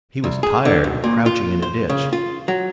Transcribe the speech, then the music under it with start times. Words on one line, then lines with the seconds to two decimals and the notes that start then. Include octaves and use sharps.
He was tired of crouching in a ditch.
0.24 C2
0.43 G#4
0.65 D3
0.84 B1
1.04 A#2
1.26 F4
1.62 C5
1.90 C#3
2.13 F4
2.48 F#3